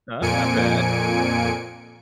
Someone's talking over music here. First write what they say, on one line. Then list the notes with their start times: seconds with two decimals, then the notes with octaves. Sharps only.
Uh, not bad.
0.21 F2 A#2 G#5 C#7 D7